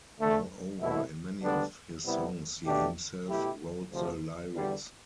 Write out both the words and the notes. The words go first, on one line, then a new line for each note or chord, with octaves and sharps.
Moreover, in many of his songs he himself wrote the lyrics.
D2 D3 A3
C2 B2 A3 E4
D2 D3 G3 B3 D4
C3 G3 B3 E4
B2 A3 D4 G4
B2 A3 E4 G4
D2 C3 F3
E2 D3 G3